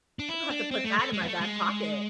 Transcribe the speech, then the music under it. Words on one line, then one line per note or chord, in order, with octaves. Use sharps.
I'm gonna have to put that in my back pocket.
D4
E4
D4
C4
A3
A3
G#3
B3
A3
G#3